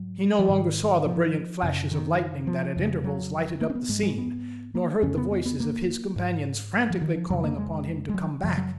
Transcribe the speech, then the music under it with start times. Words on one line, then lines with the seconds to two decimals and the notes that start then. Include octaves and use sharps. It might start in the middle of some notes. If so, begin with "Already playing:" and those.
He no longer saw the brilliant flashes of lightning that at intervals lighted up the scene, nor heard the voices of his companions frantically calling upon him to come back.
Already playing: G#2 F#3
0.39 F3
0.49 G#2 D#3
1.06 F3
1.63 F#2 C#3
1.91 D#3
2.47 F3
2.76 F2 C#3
3.04 F#3
3.61 A#3
3.70 C#4
3.75 B3
3.89 G#2 G#3
4.03 G#3
4.18 B3
4.75 A#3
5.02 F2 C#3 C#4
5.17 B3
5.31 B3
5.46 B3
5.60 A#3
6.16 G#2
6.90 F3
7.01 D#3
7.15 F3
7.30 F2 C#3 F#3
7.44 A#3
7.58 G#3
8.09 G#3
8.14 F#3
8.44 F#2 C#3 F3
8.57 F#3